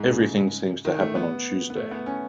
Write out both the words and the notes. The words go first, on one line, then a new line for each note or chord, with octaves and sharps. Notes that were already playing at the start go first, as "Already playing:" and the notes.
Everything seems to happen on Tuesday.
Already playing: G#2
C#3
D#3
A3
B3
B3
A3
B3
C#4